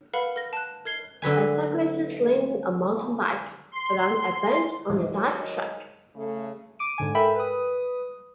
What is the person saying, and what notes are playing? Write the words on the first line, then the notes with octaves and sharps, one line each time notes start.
A cyclist is leaning a mountain bike around a bend on a dirt track.
A#4 B4 F5 F#5 B5
A#4 A#6
A5 F#6
A#4 G#6 C7 G7
D3 F#3 B4 G#5
C6
G#2 D#3 F#3 D#5
C#3 A3
D6 D7 D#7
G#2 D3 G#5
A4 A#4 E5 G5 B5
B4 D#6